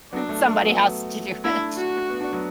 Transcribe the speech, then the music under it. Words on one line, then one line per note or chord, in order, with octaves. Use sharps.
"Somebody has to do it."
F#3 B3 D4
A3
A3
F#3 B3
A3 D4 E4
F#4
B3
D4
F#3 B3